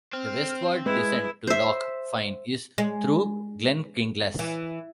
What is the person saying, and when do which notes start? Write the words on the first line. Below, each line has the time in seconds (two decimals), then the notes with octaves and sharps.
The westward descent to Loch Fyne is through Glen Kinglas.
0.13 C4 F6
0.86 G#3 E4 G#4 B4
1.47 C5 E5
2.78 G#3
4.39 E3